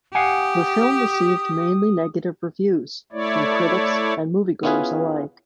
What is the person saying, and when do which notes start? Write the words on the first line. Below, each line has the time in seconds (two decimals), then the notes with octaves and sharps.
The film received mainly negative reviews from critics and moviegoers alike.
0.15 G4 F5 F#5 G#5 D#6
3.12 A3 E4 C#5 D5
4.63 B3 C#4 E4 F4 G#4 B4